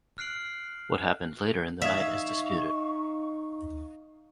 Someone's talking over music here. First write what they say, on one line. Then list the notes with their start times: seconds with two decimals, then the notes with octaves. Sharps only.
What happened later in the night is disputed.
0.18 F6 F#6 C7 D7 F#7
1.82 D#4 E5 F5 C#6 D#6 G#6